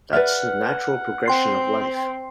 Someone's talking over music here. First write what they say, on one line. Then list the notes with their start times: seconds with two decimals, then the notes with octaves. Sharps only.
That's the natural progression of life.
0.13 B4 D5 E5 F#5 F6
1.26 C4 G5 C6 C7